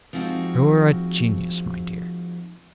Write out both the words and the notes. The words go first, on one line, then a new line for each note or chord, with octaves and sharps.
'You're a genius, my dear.'
F3 G#3 C4 D#4 F#4